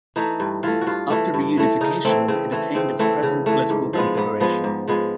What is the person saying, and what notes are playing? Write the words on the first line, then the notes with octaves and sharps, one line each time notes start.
After reunification it attained its present political configuration.
E3 A3 D#4
G2
E3 A3 F4
F#4
G2 F4
E3 A3
G2
E3 A3
C#3 D#4
E3 A3 C4
C#3 C4
E3 A3
C#3 C4
E3 A3 C4
C#3
E3 A3
G#2
F3 G#3 B3
G#2 B3
F3 G#3 B3
G#2
F3 G#3 B3